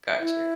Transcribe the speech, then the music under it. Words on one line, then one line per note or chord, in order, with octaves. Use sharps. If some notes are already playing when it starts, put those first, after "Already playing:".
Got you.
E4